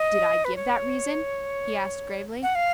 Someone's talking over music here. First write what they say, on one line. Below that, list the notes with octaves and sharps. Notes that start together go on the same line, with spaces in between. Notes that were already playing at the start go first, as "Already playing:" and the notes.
"Did I give that reason?" he asked gravely.
Already playing: D#5
B4
C#5
F#5
F5